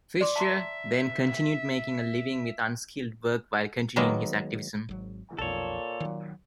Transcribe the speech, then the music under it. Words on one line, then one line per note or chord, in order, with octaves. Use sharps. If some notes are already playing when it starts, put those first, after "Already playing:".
Fischer then continued making a living with unskilled work while continuing his activism.
D5 C6 D6
E5 A5 A#5 C6
D#3 F#3 G#3 A#3 B3
G#1 F#3
B1 F2 A#2 A4 C#5
D#3 F#3